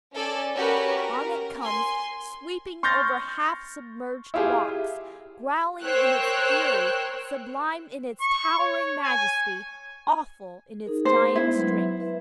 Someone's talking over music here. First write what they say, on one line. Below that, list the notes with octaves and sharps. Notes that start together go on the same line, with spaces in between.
On it comes, sweeping over half-submerged rocks, growling in its fury, sublime in its towering majesty, awful in its giant's strength.
C#4 A4 D5 G#5
C#4 F#4 G4 A#4 B4
A#4
G#5 C6
C6 C#6 F6 G6 A6 A#6
E4 F4 G4 G#4
A#4 C5 C#5 G5 E6 F#6
C#6
C#5
G#5
D#4 G#4 A#4
A3 C5
G#3 B3 D4 E4
F#3 B4
B4 E5